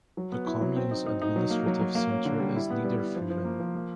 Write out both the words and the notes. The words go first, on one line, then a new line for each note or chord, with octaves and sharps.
The commune's administrative centre is Niederfeulen.
F#3
B3
E4
F#3
C4
D#4
D#4
D#4
F#3
A#3
F#3
F#3
A#3
C#4
D3
G3
E4
B3
G3
E4
F3
F3
A#3
F3
A#3